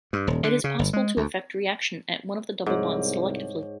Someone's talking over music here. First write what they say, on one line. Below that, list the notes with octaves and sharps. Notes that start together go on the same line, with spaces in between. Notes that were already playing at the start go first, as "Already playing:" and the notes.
It is possible to effect reaction at one of the double bonds selectively.
G2
D#1
D3
C#3
G1
G#3
D2
C2 G#2 G#4 C#5